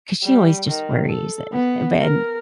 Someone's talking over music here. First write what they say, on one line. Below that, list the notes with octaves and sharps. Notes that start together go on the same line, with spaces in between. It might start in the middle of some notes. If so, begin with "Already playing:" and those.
'cause she always just worries, eh, but and
G3
D#3
A4
B3
A#4